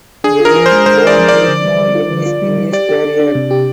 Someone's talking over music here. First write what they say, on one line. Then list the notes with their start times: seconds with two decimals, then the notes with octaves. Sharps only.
Ewing won eight more Emmys in his career.
0.24 D4 G#4
0.40 F4
0.45 A#4
0.56 F4
0.66 G#3 C5
0.86 G#3 C5
1.02 G#3 D5
1.18 F3
1.28 D5
1.34 F3
1.48 D3
1.65 G3
1.79 G3
1.95 F4
2.11 D3
2.26 F4
2.42 G3
2.58 G3
2.72 G4 D5
2.89 G4
3.05 D4
3.19 D4
3.35 C3
3.51 G4